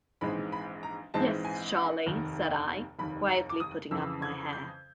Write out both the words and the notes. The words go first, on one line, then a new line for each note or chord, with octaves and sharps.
"Yes, Charley," said I, quietly putting up my hair.
A#1 G#2 E3 G#3 C4 B5
B5
A#5
A#1 G#2 E3 G#3 C4 A5
G#5
F#5
F1 D#2 D#3
F1 D#2 D#3 B5
A#5
D6
D#6
F2 C#3 E3 E6
G#6
G6